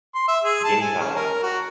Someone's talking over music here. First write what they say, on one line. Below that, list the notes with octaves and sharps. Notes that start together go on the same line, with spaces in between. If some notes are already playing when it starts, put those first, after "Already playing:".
Gimme five.
C6
E5
G#4
A5
G#5
C#4
A#4
F#4